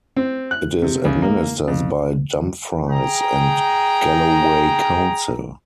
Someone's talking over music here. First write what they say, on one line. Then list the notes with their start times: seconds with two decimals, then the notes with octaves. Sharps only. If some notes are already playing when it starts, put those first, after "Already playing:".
It is administered by Dumfries and Galloway Council.
0.17 C4
0.51 F#6
0.82 C3
1.05 C#2
1.22 A#3
1.68 F2
2.89 G#4 G5 A#5